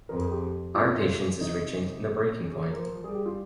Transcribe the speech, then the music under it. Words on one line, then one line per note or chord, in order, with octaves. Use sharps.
Our patience is reaching the breaking point.
F2 A#4
G#4
G4
C3 F4
F4
F4
C3 D#4
C#3
F3 A#4
G3 G#4
G4
F4